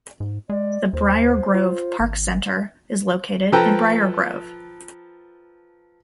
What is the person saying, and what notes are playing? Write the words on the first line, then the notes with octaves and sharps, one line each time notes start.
The Briargrove Park Center is located in Briargrove.
G#2
G#3 D5
D#2 C5
F4
G#1
F3 A4 B4 G5 A#5